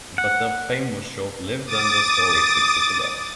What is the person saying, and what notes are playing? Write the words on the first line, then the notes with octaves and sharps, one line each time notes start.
But their fame was short-lived and their story quickly forgotten.
F#5
D6 D#6 A6